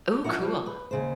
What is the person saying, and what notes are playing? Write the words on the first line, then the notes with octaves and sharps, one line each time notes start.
Ooh, cool.
F3 C#4 E4 A#4 F#5
F3 G3
B4
D#2 C#3 C5